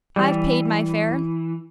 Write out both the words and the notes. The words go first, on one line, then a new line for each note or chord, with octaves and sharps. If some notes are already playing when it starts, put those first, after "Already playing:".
I've paid my fare.
E3 G3